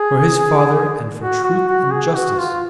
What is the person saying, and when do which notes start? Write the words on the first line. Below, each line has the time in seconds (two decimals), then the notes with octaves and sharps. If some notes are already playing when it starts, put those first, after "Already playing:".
For his father and for truth and justice.
Already playing: G#4
1.21 F#4
1.44 F#4
1.68 F#4
1.91 G#4
2.15 F#4
2.39 F4